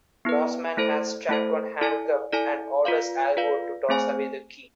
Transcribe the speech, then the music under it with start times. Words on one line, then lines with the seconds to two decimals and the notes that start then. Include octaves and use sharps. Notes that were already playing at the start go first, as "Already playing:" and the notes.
Mossman has Chacon handcuffed and orders Alvord to toss away the key.
0.25 B3 E4 B4
0.77 A3 E4 A4 C5
1.29 A3 E4 A4 C5
1.81 E4 A4 D5 G#5
2.33 E4 A4 D5 G#5
2.85 F4 B4 D5 F5
3.37 F4 B4 D5 F5
3.89 A3 C4 G#4 C5 G#5